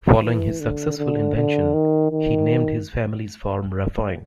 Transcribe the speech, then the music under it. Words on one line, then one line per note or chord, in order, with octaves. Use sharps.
Following his successful invention, he named his family's farm Raphine.
E3
D3
D3
D3
D#3
D#3